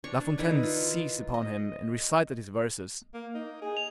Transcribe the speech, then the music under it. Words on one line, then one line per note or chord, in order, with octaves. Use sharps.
La Fontaine seized upon him, and recited his verses.
D4 C#5 C#6
D#3 E4 B4
F4
D#5
A#3
D#4
G#4
F7